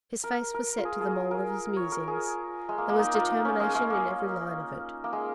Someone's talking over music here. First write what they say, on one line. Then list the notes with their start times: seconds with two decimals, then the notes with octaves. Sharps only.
His face was set to the mould of his musing; there was determination in every line of it.
0.24 A#4
0.54 A#4
0.78 F4
0.85 G#4
1.01 G#4
1.31 A#4
1.76 C#5
1.92 A#4
2.08 G#4
2.69 G#3
2.78 A#3
2.89 A#3
2.99 D#4
3.15 F4
3.29 D#4
3.45 C#4
3.60 G#3
3.75 G#3
3.90 A#3
5.04 A#3
5.13 G#3